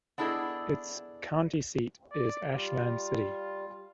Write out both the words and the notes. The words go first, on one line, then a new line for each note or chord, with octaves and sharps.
Its county seat is Ashland City.
B3 D4 E4 G#4 A4 D#5
D5
G3 F4